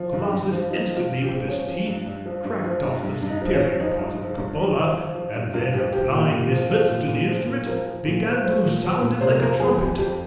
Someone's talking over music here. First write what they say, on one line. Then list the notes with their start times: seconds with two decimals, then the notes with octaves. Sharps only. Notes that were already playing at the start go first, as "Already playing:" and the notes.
Colossus instantly, with his teeth, cracked off the superior part of the cupola, and then applying his lips to the instrument, began to sound it like a trumpet.
Already playing: F3
0.13 G2
0.32 G2
0.52 F3
0.70 F3 D#4
0.90 F3
0.97 F4
1.09 G2
1.22 G4
1.29 F3
1.48 F3 C#4
1.67 F3
1.86 G2
2.06 G2
2.25 F3
2.44 G2
2.64 F3
2.83 G2
3.02 G2
3.22 G2
3.29 D#4
3.42 F3
3.54 C#4
3.60 F3
3.79 F3 D#4
4.00 G2
4.18 F3
4.38 G2
4.57 G2
4.77 F3
4.96 F3
5.15 F3
5.35 G2
5.54 G2 F4
5.73 F3 G4
5.92 F3 G4
6.12 A#2
6.31 A#2
6.50 F3
6.70 F3
6.89 A#2
7.08 A#2
7.28 F3
7.47 A#2
7.66 F3 A#4
7.86 F3
8.05 A#2
8.24 F3
8.44 F3 C5
8.63 A#2
8.83 F3
9.01 A#2
9.21 C3 C5
9.40 F3 A#4
9.60 F2 G#4
9.79 F2 G4
9.98 F2 G4